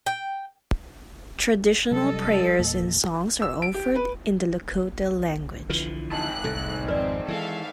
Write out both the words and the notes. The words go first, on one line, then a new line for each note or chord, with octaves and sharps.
Traditional prayers and songs are offered in the Lakota language.
G5
C3 F#3 G3 C#4 A4 D#5
E2 A#2 A#3
E6
D7
G4
B4
D3 E3 F3 B4
G#2 D#3 A5 F#6
C2 A2 A4
G#1 F2 C4 B4 D5
E3 F#3 G#3 A4 E5 F5